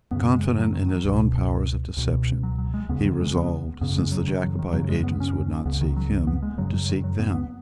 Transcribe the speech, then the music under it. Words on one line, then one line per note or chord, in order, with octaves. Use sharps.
Confident in his own powers of deception, he resolved, since the Jacobite agents would not seek him, to seek them.
F#2 C#3 B3
G#3
F#3
D#3
F#3
C#2 B2
C#2 B2
F#3
F#3
G#3
D#2 C#3 B3
D#3
G#3
B3
F#2 C#3 B3
G#3
F#3
D#3
F#3
D#3
F#2 C#3 F#3
G#3
B3
C#4
C#2 C#3 B3
D#3
F#3
B3
G#3
F#2 C#3 F#3
F#3
D#3
F#3
B3
B3